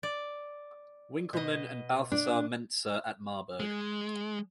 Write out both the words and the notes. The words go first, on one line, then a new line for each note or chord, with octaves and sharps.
Winckelmann and Balthasar Mentzer at Marburg.
D5
B2 D#5
D4
G#3